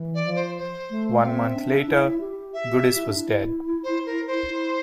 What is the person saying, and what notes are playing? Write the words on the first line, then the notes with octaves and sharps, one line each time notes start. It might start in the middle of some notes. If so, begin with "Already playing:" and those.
One month later, Goodis was dead.
Already playing: E3
D5
F3
C5
C5
A3
C4 E5 F5
D4
E4
G4
E5
G4
E4
D4
E4
C5
A#4
C5
E4